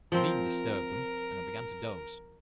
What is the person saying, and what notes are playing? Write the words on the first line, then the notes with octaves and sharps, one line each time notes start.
I needn't disturb them; and I began to doze.
F3 C4 A#4